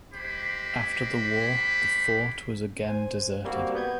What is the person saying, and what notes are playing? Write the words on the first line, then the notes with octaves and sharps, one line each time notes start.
After the war, the fort was again deserted.
G#3 G4 C5 B5
C5 G#5
G3 A#3 C4 F#4
B3 G6 G#6